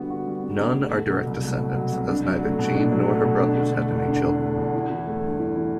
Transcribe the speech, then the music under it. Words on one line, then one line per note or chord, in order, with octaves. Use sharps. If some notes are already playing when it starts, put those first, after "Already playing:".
None are direct descendants, as neither Jean nor her brothers had any children.
Already playing: D3 G3 B3 F#4
F#4
G3
B3
D3
A3
B2
F#3
C2
A3
B2
F#3
C2
D4
F#3
A3
B2
D4
F#3
A3
B2
D4
D3
A3
E2
D4
D3
A3
E2
E4
E3
A3
G2
E4
E3